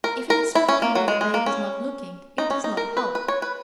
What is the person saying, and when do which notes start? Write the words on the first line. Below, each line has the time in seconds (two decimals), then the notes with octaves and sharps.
If it is spoken when the baby is not looking, it does not help.
0.04 A#4
0.30 A#4
0.55 E4
0.69 C#4
0.82 A#3
0.95 F#3
1.08 G#3
1.21 G#3
1.34 A#3
1.46 C#4
2.38 D#4
2.50 C#4
2.64 D#4
2.77 A#4
2.97 B4
3.15 B4
3.28 C#5
3.42 B4